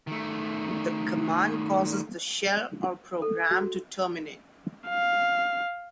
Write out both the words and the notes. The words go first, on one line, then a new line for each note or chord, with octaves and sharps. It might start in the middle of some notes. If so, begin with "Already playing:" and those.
The command causes the shell or program to terminate.
D#3 A3
A4
F#4
F5